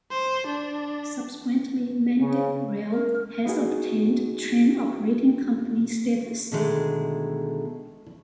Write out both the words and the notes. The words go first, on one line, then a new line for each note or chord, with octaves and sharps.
Subsequently Mendip Rail has obtained train operating company status.
C5
D4
C#3
A#4
B3 D#4 F#4 G#4
B2 D3 D#3 G#3 A3